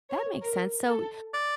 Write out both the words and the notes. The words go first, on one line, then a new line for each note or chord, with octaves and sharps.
That makes sense, so
C#5
A#4
A4
D5